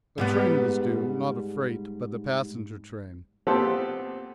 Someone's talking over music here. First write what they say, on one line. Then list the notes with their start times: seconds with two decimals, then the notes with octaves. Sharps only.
A train was due; not a freight, but a passenger-train.
0.18 G#2 G3 B3
3.47 A#2 B3 C4 F4 G4 A4